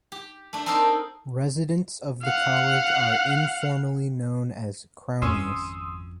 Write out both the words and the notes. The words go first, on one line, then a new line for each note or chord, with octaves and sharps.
Residents of the college are informally known as Crownies.
G4
A3 D4
C4 D#4 A4 A#4 C5 D5
F5 F#5
G#1 F2 C#4 C6 D#6 E6